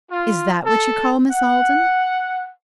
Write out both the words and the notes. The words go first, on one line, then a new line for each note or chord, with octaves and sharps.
"Is that what you call Miss Alden?"
F4
A4
F#5